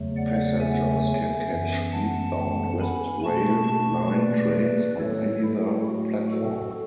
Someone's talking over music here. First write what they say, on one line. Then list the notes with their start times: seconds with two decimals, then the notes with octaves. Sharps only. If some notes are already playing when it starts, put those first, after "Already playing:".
Passengers can catch eastbound West Rail Line trains on either platform.
Already playing: E2 C#3 F#3 A3
0.16 D5 F#5
0.60 E5 G#5
1.49 F#2 E3 B3
1.92 F#5 A5
2.80 G#5 B5
3.24 B2 A3 A5 C#6
3.68 A5 C#6
4.12 B4 D5
4.99 A2 F#3 A3 A4 C#5
5.44 E4
5.87 F#4
6.31 F#4 A4